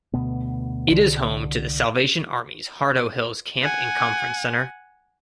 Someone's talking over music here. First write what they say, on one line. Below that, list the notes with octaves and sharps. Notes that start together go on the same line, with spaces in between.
It is home to The Salvation Army's Heart o' Hills camp and conference center.
D2 B2 B3
C2 D3
F#5 G#5